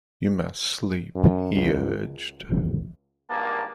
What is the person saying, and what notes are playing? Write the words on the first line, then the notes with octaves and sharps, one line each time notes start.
You must sleep, he urged.
F#2
C#2
G#1 G2 A#3 A5